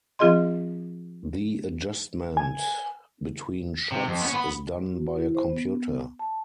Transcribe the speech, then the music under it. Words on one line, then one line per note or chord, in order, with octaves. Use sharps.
The adjustment between shots is done by a computer.
F3 C4 F4 G#4 D#5 C6
G#5
C3
F2
B3 C#4
B3 B5
F#4
E4
C5
B3
A5